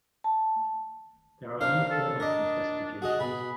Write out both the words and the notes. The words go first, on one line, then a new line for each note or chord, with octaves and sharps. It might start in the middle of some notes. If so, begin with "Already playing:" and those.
There are no formatting specifications.
A5
A#3 D4 C5 F5
A4
D4 A#4 D#5
F#4 G#4 D#5
B2 G#4 B5